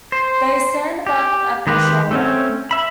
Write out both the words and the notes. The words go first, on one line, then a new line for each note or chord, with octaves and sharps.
They stand about at the shoulder.
C5
G4
D#3 G#3 G4 B4
A3 C4 C#4
E5 B5